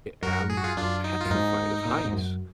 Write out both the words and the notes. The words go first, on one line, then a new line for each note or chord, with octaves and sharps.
I am petrified of heights.
F#2 F#4 A#4
G#4
F#4
F4 G#4
F#2 D4 F4
D#4
F#2 F4
G#2 D#4
A#2
A#2
G#2
F#2